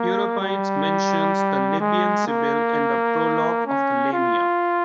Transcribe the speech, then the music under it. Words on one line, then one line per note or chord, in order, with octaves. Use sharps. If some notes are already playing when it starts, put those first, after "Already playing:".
Euripides mentions the Libyan Sibyl in the prologue of the "Lamia".
Already playing: A#3
G3
G#3
A#3
C#4
F4